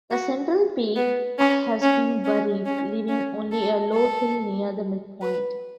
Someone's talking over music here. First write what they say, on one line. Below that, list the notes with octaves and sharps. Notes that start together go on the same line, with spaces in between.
The central peak has been buried, leaving only a low hill near the midpoint.
F#4
B3
C#4
C#4
C#4
C#4
C#4
A4
A4
B4